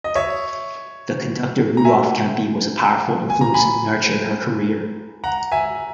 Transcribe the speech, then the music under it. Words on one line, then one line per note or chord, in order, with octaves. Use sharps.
The conductor Rudolf Kempe was a powerful influence and nurtured her career.
D#5
C#5 E5
A#5
E5 G#5
G#5
A#5
G#5 B5
F#5 A#5
E5 G#5